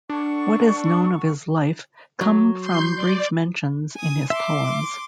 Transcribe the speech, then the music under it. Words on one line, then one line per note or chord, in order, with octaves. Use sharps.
What is known of his life come from brief mentions in his poems.
D4 A4 F#5 C#6
F#3
C6 G6
D5
G#5 D#6
E5 C6 D6